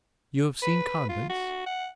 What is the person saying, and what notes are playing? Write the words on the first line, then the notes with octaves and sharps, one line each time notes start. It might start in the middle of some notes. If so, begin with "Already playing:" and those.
"You have seen convents?"
B4
F4
F#4
F#5